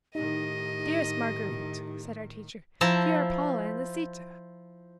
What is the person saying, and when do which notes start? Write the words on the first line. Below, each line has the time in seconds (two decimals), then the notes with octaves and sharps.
"Dearest Marguerite," said our teacher; "Here are Paula and Lisita."
0.15 A2 D#3 D#4 G4 D#5
2.81 F3 E4 A5 A#5